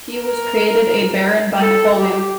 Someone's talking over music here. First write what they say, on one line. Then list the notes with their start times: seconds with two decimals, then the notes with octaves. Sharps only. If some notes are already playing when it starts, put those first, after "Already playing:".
He was created a baron by Napoleon.
0.16 A#4
1.61 A4
1.96 G4